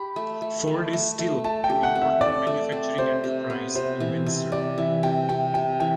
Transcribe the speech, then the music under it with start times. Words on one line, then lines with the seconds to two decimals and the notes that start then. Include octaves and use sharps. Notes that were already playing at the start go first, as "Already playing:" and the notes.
Ford is still an important manufacturing enterprise in Windsor.
Already playing: G4 B5
0.16 A3
0.42 A3
0.67 A3
0.93 A3
1.19 A3
1.44 A3 A5
1.64 G5
1.70 G4
1.83 F#5
1.95 C4
2.02 E5
2.21 A3 D5
2.47 A3
2.72 C4
2.98 C3 C5
3.24 C3
3.50 B3
3.75 C3 C5
4.00 E3
4.26 C3
4.52 C3 D5
4.78 E3 E5
5.03 C3 G5
5.29 C3 G5
5.54 C3 G5
5.80 E3 G5